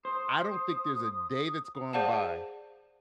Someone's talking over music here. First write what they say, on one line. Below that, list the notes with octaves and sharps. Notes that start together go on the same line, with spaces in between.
I don't think there's a day that's gone by
C5 D#6
G#4 C5 D5 F5 F#5 A5